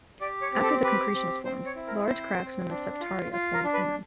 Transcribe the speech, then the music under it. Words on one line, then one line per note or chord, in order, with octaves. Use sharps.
After the concretions formed, large cracks known as "septaria" formed in them.
G4 D5
C#5
C4
A4
G4 B4
C4
C4 C5
C#5
E4
A#4
C4 C5
C4
D4
F4
F4
A#4
D4
B4